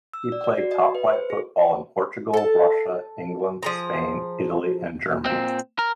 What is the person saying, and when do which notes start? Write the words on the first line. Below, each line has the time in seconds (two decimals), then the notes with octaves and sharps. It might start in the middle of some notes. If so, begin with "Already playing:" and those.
He played top flight football in Portugal, Russia, England, Spain, Italy and Germany.
0.13 E6
0.32 D5
0.44 D5
0.58 F#4
0.71 D#5
0.95 B4
1.13 C5
1.30 G#4
2.34 A4 A5
3.63 F3 G#4 A#5
5.25 A#2 C4
5.79 A#4